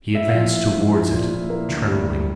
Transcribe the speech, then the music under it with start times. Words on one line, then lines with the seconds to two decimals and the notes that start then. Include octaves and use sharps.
He advanced towards it trembling.
0.15 E4 E5
0.28 F5
0.34 F3
0.39 E5
0.53 E4
0.73 E4
0.93 F3
1.12 A#2
1.30 E4
1.50 A#3
1.69 D2
1.88 G3
2.07 G3